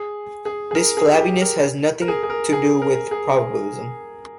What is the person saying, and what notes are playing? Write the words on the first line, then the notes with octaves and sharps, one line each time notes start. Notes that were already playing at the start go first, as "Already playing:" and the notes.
This flabbiness has nothing to do with probabilism.
Already playing: G#4
G#4
G#4
A#4
G#4
G4
G#4
A#4
A#4
G#4
G#4
A#4
G#4
A#4
G#4